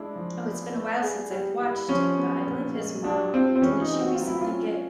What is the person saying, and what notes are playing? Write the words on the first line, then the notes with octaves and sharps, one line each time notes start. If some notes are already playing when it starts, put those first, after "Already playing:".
oh, it's been a while since I've watched it, but I believe his mom didn't she recently get
Already playing: G#3 D4 E4
F3
B3
B3
G#4
G3
E4
F3 C#4
B3
A#2
G#3
G3 D4
C4 F4
C4
E3 C#4
D#4
C4
F#4
F4
F#3
E4
F4
C#4